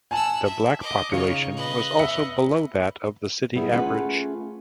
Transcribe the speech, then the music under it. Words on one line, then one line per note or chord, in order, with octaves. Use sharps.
The black population was also below that of the city average.
F#5 G#5 A5 E6
E5
D#5 D6
C#3 D#4 F4 C#5 C#7
B4 D#5
E5 C#7
G3 B3 E4 G#4
A3 C#4 F4 G#4 B4 F#5